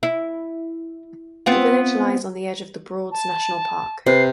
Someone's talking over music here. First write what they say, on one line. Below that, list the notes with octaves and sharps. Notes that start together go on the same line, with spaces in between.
The village lies on the edge of The Broads National Park.
E4
B3 C4 F4
A5
C3 B4 C5 C7